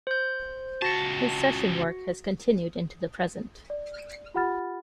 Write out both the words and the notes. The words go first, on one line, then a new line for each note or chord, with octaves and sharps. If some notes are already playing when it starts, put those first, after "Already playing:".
His session work has continued into the present.
C5 G6
C#2 F#4 A5 A#6 C#7
D5
F4 G4 F#5 B5 F6 A6